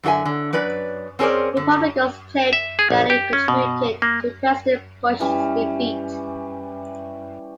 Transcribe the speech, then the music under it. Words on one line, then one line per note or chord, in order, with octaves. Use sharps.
Republicans claimed that it contributed to President Bush's defeat.
F#2 D3 F#4 E5 G#5
D3
F#3 C#4 B4 D5
C4 C#4 G#4 A#4 C5 D5
D3
E5
G#4
A#1
G4
C#4
B2
A#3
E3 G3 C#4